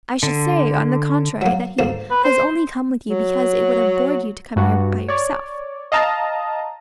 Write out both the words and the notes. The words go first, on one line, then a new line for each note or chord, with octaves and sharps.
"I should say, on the contrary, that he has only come with you because it would have bored you to come here by yourself."
D3
F#3 A#3
D2 G#2 A#3
B4
C5
F#3
G2 F#4
C#5 D5
D#5 F5 A5 A#5